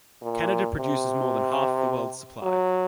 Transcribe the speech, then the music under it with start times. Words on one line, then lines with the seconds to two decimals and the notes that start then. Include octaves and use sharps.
Canada produces more than half the world's supply.
0.22 A#2
0.78 C3
2.42 F#3